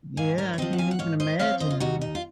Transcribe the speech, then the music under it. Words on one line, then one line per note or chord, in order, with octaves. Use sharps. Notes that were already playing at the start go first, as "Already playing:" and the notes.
Yeah, I can't even imagine.
G#2 F5 G#5
A#4 C#5
C#5
F3 C4 C5 D#5
F#5
F5 G#5
F#5
G#2 C#5 F5
C5 D#5
F3 C4 C#5 F5
C5 D#5
F4
D#2 D#4 F#4
D#4
F4